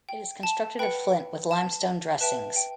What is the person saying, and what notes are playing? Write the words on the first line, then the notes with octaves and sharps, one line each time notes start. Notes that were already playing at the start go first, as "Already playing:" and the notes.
It is constructed of flint with limestone dressings.
G5
A5
B4 F#5 G5 B5
A5
B4 E5 G5 A5
G5